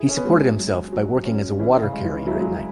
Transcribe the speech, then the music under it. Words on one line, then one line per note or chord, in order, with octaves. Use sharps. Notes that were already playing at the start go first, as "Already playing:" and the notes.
He supported himself by working as a water-carrier at night.
Already playing: E4 G#4
C#4
B3
F#3 G#3
F#3
F#3
C#4
E3 C#4
C#3
G#3
E3
F#3 E4
G#3
F#3